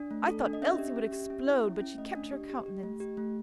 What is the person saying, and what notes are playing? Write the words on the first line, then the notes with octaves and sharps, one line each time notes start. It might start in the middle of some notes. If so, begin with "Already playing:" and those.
I thought Elsie would explode; but she kept her countenance.
Already playing: D4 D5
A3
A4
D4
D#5
C#4 E5
G4
C#4
G4
C#4
E4
C#4
C#4
A3 D#5
D4
G4
G4
G4
A3
G4
A3